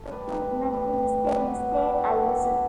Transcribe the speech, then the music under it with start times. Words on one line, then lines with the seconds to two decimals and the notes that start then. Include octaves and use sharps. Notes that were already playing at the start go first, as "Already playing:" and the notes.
You can imagine the state I was in.
Already playing: A4
0.11 A2 E3 G3 B4 D5
0.73 A2 E3 G3
1.35 B2 F#3 G4 B4
1.76 E4 G4
1.97 B2 F#3 D4 F#4
2.13 E4 G4
2.29 F#4 A4
2.44 G4 B4